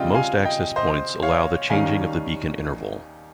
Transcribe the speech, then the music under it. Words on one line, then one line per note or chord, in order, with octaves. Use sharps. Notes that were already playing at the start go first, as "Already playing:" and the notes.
Most access points allow the changing of the beacon interval.
Already playing: C#3 G3 C4 F4 D#5 G5
F5 G#5
D#5 G5
C5 D#5
C#5 F5
D#2 D#3 G3 C#4 F5 G#5